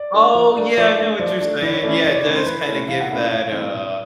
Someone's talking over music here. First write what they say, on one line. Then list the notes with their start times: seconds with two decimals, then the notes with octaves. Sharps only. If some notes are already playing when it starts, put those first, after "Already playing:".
Oh, yeah, I know what you're saying. Yeah, it does kinda give that, uh,
Already playing: D5
0.14 A3 D4
0.35 F3
0.56 A3 D4
0.77 F3 D5
0.98 A3 D4
1.19 F3 D5
1.40 A3 D4
1.62 E3 D5
1.73 C#5
1.83 A3 C#4 E4 D5
2.04 E3 D#5
2.11 C#5
2.15 D5
2.25 A3 C#4 E4 C#5
2.36 C5
2.46 E3 B4
2.67 A3 C#4 E4
2.88 E3 F5
3.00 F#5
3.10 A3 C#4 E4 F5
3.31 A2 F5
3.52 E3 A3 C4
3.73 A2